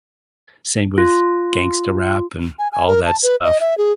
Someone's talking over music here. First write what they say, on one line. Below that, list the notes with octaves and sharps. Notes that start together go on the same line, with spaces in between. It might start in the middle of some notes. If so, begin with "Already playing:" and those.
same with gangsta rap and all that stuff.
F4
G#5
G#5
A#4
A5
B4
D#5
E5
G#4